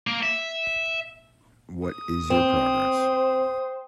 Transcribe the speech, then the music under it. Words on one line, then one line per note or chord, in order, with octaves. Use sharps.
What is your progress?
A#3
E5
D#6
C4 C5